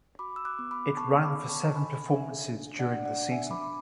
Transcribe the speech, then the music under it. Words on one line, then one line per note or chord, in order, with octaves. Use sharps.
It ran for seven performances during the season.
F#4 B5 D6
E6
D6 F#6
B3
B5 D6
B3 A5 C#6
B5 D6
A4
A5 C#6
A4 G#5 B5
A4 E5 G#5
D4
D5 F#5
D4
D5 F#5
D4 E5 G#5
B5 D6
D6